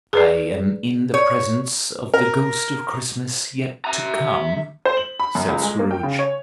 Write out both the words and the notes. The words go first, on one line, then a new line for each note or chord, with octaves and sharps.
"I am in the presence of the Ghost of Christmas Yet To Come?" said Scrooge.
G#4 B4 D5
C#5
A#4
E5 A#5
C5
F#7
B5
F#2
C#2
G#3
A#3
G5
C#3
C#5